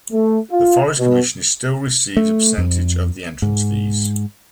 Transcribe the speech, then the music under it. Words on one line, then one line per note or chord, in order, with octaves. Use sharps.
The Forest Commission still receives a percentage of the entrance fees.
A3
F4
B2
A3
F2
G#2